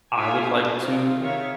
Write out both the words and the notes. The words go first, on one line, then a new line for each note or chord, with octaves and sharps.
I would like to,
D#4 F4 A4 E5 F5 G#5
D4 A4
C4 D#4 F4
D#3 G#4 C#5 E5 F5